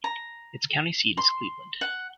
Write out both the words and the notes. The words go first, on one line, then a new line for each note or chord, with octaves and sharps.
Its county seat is Cleveland.
A#5
C6
F#5